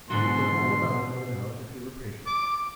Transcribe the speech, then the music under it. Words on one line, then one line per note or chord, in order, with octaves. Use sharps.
He would learn all about it, no doubt, if he were patient.
G#2 B2 D3 F#3 C6
D6